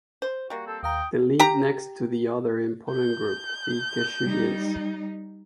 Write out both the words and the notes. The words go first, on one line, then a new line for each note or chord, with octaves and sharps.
They live next to the other important group, the Kashubians.
C5
G3 A#3 F#4
C4 A4
D#2 F5 G5 A#5 D#6
G4 A#5
G6
G3 D#4